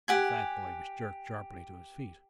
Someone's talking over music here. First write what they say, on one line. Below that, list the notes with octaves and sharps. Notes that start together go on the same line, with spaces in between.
The fat boy was jerked sharply to his feet.
G4 F#5 G#5